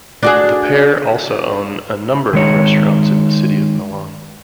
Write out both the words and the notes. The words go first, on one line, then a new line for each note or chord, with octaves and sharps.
The pair also own a number of restaurants in the city of Milan.
D4 F#4 G#4
D#3 G#3 C#5